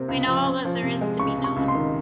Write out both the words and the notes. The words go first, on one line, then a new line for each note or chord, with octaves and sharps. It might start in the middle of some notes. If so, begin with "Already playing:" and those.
We know all that there is to be known.
Already playing: C3 A#3 C4
C#2
F3
C#4
F3
C3
G#3
C#2 C#6
C3
C#6
C#2
C6
D#3